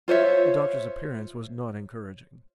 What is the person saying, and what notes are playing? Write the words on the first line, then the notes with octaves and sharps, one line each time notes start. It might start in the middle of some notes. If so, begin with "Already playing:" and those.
The doctor's appearance was not encouraging.
F4 C5 C#5 E5